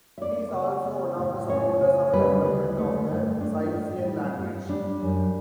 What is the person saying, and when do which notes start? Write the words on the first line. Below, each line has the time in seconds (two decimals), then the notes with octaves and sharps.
He is also one of the supporters of development of the Silesian language.
0.18 E5
0.21 B3 D5
0.54 C#3
0.85 B3
1.18 A2
1.49 C#4 C#5
1.81 C#3
2.13 G3 B4
2.45 D2
2.78 A3
3.10 G2
3.41 A3 D4
3.74 A2
4.05 G3
4.37 G2
4.69 G3 D4
5.02 F#2